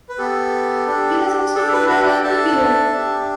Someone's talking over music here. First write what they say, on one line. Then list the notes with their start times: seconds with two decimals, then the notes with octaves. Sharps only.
It has also been very irregular.
0.09 B4
0.18 B3 G4 A4
0.87 D4 G4
1.55 D4 A4
1.73 B4
1.89 B4 E5
2.06 D5 G5
2.23 D4 A4 E5 A5
2.93 D4 G4